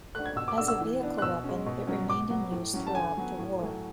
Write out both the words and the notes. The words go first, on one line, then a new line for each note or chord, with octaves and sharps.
As a vehicle weapon, it remained in use throughout the war.
A3 D4 F#6
G#6
B2 E6
D6
A3 D4 E6
E6
E3
B3 D4
F#6
B2 E6
G#3 C#4
B2
F#3 C#4
B2 D6
F#3 B3
A2
F#3 C#4
A5
D3 G#5
F#3 B3
A2
F#3 A3